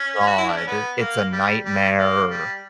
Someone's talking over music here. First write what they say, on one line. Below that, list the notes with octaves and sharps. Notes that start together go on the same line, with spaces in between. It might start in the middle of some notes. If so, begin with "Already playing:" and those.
god, it's a nightmare.
Already playing: C#4
F#4
E4
D4
C#4
B3
A#3
G3
G3
A#3
G3